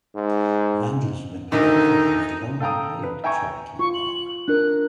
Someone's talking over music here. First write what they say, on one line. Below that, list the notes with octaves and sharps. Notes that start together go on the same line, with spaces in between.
Vandalism and petty crime has long plagued Cherokee Park.
G#2
D2 D3 D#3 D#4
A4 F5 G5 A#5 D#6
B4
E5 G5 G#5 A#5 C#6
F4 C#6
F#7
D4 A#4 F#6